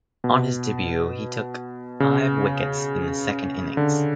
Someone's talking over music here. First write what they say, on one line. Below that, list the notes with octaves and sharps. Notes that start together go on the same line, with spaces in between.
On his debut, he took five wickets in the second innings.
B2
C#3
D3